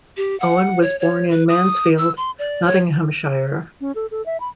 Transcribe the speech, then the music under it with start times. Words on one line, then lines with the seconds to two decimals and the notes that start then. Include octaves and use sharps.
Owen was born in Mansfield, Nottinghamshire.
0.17 G4
0.40 F#5
0.82 C#5
1.00 C#5
1.30 B4
1.49 D#6
1.98 E6
2.17 C6
2.39 D5
2.65 C#5
3.81 C#4
3.95 A4
4.11 A4
4.26 E5
4.40 B5